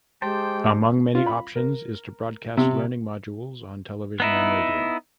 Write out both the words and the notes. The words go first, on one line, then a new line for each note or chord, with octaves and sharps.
Among many options is to broadcast learning modules on television and radio.
G#3 G4 C5 G5 A5
F4
B5
A#4
C3
B3 D#4 E4